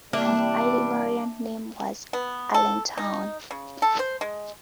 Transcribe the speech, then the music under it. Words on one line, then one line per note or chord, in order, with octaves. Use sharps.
An early variant name was Allentown.
C3 E3 G3 A#3 D4 E5
B3
A4
D#4
C#3
A4
C5
G#3